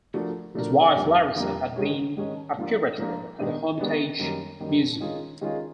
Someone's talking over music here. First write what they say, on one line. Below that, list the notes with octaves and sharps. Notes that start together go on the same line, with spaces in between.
His wife, Larissa, had been a curator at the Hermitage Museum.
F3 A3 D4 F#4 A#4
F3 A3 D4 F#4 A#4
F2 D3 G3 A#3
F2 D3 G3 A#3
G#2 D#3 G#3 C#4
G#2 D#3 G#3 C#4
G#2 F3 A#3 D4 F4
G#2 F3 A#3 D4 F4
D#3 G#3 B3 D4
D#3 G#3 B3 D4
F#2 D#3 G3 A#3
F#2 D#3 G3 A#3
D#3 G#3 C#4 F4 G#4
D#3 G#3 C#4 F4 G#4